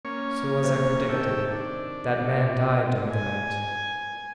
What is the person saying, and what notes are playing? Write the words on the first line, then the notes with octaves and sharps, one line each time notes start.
"So, as I predicted, that man died during the night?"
A#3 C#4 C#5
C3
C3 D#3 E5 G5 A5
D4
G#5